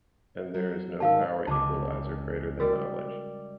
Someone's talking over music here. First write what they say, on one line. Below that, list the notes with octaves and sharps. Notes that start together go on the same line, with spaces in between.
And there is no power-equalizer greater than knowledge.
F#3
G#2 D#3 D#4 A#4 F5 A5
C#2 A5 D6
G3 F#4 A#4 D5